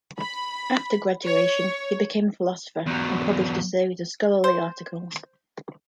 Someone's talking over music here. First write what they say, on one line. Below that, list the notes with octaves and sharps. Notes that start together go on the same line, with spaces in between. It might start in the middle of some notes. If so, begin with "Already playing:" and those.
After graduation, he became a philosopher and published a series of scholarly articles.
B5
C#5
E2 F#3
C5